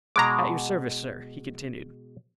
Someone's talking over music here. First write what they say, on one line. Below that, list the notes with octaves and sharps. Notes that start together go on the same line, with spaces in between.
"At your service, sir," he continued.
B2 G#3 A#5 D6